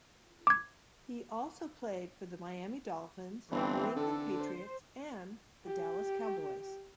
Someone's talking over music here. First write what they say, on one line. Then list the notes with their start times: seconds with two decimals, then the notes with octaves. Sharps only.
He also played for the Miami Dolphins, New England Patriots and the Dallas Cowboys.
0.47 D6 G#6
3.51 G1 E3 C4
3.96 D3 A4
4.39 C5
5.66 G4